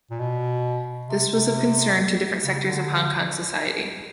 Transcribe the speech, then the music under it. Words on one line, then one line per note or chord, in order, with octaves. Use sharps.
This was of concern to different sectors of Hong Kong society.
A#2
B2
C3
C3
C#3
D3